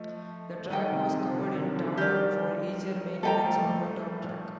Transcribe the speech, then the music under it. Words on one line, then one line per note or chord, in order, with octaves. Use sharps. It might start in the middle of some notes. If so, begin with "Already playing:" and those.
The track was covered in tarmac for easier maintenance of the dog track.
Already playing: F3 A3 D#5
D#3 G3 D#4 A4 D#5 G5
C3 D#3
C3
D3
C3 D#3
D3 F3
D#3 G3 G4 A#4 D5
G3 A#3 A4 D#5 G5 A#5
F3 A3
F3 A3